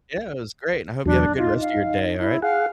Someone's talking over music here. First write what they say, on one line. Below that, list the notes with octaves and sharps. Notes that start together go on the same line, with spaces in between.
Yeah, it was great, and I hope you have a good rest of your day, alright?
E2 F#3 D4
D#4 F4
F5
E4
G#4 F5 F#5